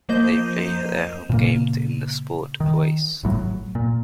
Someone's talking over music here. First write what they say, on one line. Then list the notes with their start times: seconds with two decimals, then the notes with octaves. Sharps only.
They play their home games in the SportOase.
0.09 F3 A#3 C5 D#5 G6
1.30 A#2 C#3 A#3
2.60 D#3
3.23 G#1 A2 F#3
3.75 A#2